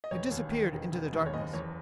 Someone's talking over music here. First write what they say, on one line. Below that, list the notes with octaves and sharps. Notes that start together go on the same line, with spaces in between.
They disappeared into the darkness.
D#5
E1 C#5
D#2
D#3
E1
E1
D#2
C#5
F#1 D#5
E2 C#5